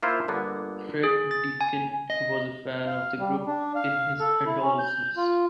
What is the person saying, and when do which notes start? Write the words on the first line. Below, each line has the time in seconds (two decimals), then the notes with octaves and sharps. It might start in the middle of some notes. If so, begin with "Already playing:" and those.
Fred Deakin was a fan of the group in his adolescence.
0.03 A#3 E4 F4 C5 F5
0.28 G1 D3 A#3 B3
1.04 G#4
1.31 A6
1.61 G#5
2.10 D#5
2.87 F5
3.19 G3
3.47 D4
3.75 F5
4.20 A4
4.46 E4
4.63 C#4
4.79 G6
5.17 F4